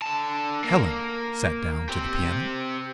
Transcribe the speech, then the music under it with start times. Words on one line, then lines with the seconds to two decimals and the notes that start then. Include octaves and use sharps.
Helen sat down to the piano.
0.02 D3 A5
0.64 A#3
1.89 C4 G4